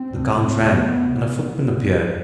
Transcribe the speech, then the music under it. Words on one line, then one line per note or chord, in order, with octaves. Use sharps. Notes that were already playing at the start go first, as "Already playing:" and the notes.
The count rang, and a footman appeared.
Already playing: C4
D2 C3
D2 C3 B3
D2 C3
C2 B2
F3